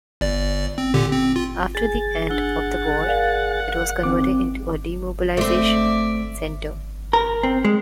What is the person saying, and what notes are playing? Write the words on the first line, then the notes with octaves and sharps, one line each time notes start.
After the end of the war, it was converted into a demobilization center.
G1 D5
C4
A#2 D3 G4
C4
F4
G#4 A6
D4 F#5 E6 G7
A#4 D5 F5
D#3 C4 D6
A3 C4 D5 E5
A#4
C4
G#3